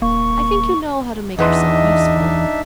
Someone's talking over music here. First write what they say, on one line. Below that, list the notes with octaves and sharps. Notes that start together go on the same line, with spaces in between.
I think you know how to make yourself useful.
D#1 A#3 C#6
E2 D4 D#4 B4 D#5 E5 C6